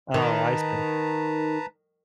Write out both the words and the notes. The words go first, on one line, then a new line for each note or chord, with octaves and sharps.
Oh, I see.
D#3 B4 A5 A#5